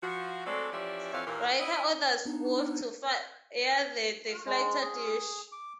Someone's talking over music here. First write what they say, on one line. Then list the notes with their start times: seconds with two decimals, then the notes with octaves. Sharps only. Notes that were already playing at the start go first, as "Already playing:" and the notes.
Riker orders Worf to fire the deflector dish.
0.03 F3 F#4
0.46 F#3 G#3 A3 C4 A4 D5
0.72 E3 F3 C#4 G4 D5 E5
1.13 F2 E3 C4 C#5 E5 F5
1.26 D#2 A#2 E3 A#3
1.60 E4 D#5
2.25 B3 D4 D#4
4.46 G#3
4.82 G#4
5.52 D6